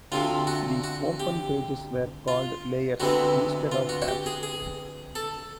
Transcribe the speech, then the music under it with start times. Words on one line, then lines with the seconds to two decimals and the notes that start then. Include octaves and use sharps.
These open pages were called "layers" instead of tabs.
0.12 D2 C3 F3 F4
0.47 F#4
0.84 F#4
1.20 G4
2.28 F4
3.00 D2 C3 E3 G#3 B3 F#4
3.72 F4
3.89 F#4
4.02 F#4
4.08 G4
4.26 G#4
4.43 G#4
5.15 A4